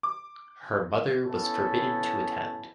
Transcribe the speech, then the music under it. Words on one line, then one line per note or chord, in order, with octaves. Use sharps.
Her mother was forbidden to attend.
D6
B3 C#4 E4 A4